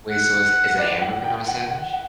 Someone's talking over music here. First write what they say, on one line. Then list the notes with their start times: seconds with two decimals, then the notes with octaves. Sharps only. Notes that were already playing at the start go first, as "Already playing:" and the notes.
Wait, so is is a hamburger not a sandwich?
0.10 F#5
0.78 D5
1.01 F#5
1.24 G5
1.48 F#5
1.71 F#5
1.93 F#5